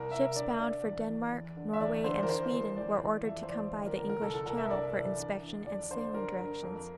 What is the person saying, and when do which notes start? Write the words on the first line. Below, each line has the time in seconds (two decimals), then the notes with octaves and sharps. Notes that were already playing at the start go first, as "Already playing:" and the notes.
Ships bound for Denmark, Norway, and Sweden were ordered to come by the English Channel for inspection and sailing directions.
Already playing: C2 A#4
0.11 C2 E5
0.36 D3 D5
0.60 D3 D5
0.85 E2
1.08 E3
1.32 E2
1.57 D3
1.73 E5
1.80 E2 D5
2.04 D3 C5
2.23 A#4
2.28 E3 C5
2.53 E2
2.77 E3 D5
3.01 E3 D5
3.25 F2 E5
3.43 C5
3.49 E3 D5
3.74 D2
3.86 A#4
3.98 D2 A#4
4.09 A#4
4.21 C2 A4
4.34 A4
4.46 C2 A#4
4.58 E5
4.70 G2 D5
4.95 E3
5.18 D3
5.42 D3
5.67 F2 D5
5.90 D3 C5
6.14 D3 A#4
6.39 G2
6.63 F2